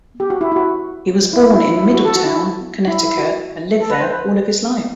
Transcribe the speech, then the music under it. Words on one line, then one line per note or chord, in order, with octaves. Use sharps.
He was born in Middletown, Connecticut and lived there all his life.
G4
F#4
E4
E4
F#4
E4
E4
E4
E4
F#4
A4
F#4
E4
E4
E4
F#4
A4
B4
C5
B4